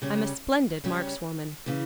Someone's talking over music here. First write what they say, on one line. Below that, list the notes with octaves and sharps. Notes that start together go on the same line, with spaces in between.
"I'm a splendid markswoman."
C#3 G3 C#4
C#3 G3 C#4
C#3 E3